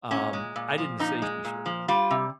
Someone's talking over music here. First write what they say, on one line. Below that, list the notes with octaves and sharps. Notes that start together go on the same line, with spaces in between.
um, I didn't say she should have.
A#2 C#4
G#3
A#2
F3
A#2 D#4
G#3
A#2
F3
G3 F4
C3